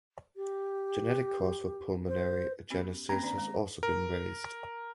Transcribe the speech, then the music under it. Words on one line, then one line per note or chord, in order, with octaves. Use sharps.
Genetic cause for pulmonary agenesis has also been raised.
G4
C5
B3 C#4 G4
A#3 C4 C#4 A#5
D#3 D4 D5
G#3
A#4